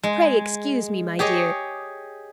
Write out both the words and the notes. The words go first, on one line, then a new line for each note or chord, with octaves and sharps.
Pray excuse me, my dear.
G#3
G4 G#4 C#5 D#5